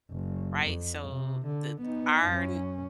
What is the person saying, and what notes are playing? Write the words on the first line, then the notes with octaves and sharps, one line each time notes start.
right? So the our n
F#1
F2
C3
D3
B3 D#4
F#2 C#4